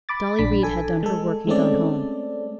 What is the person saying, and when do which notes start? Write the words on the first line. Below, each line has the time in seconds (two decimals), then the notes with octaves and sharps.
Dolly Reid had done her work and gone home.
0.09 B5 D6 A6
0.39 A#1 D4 B5 B6
0.63 A4 G#5
1.03 G#3 A4
1.47 G#3 A3 C4 C#4 A4 D5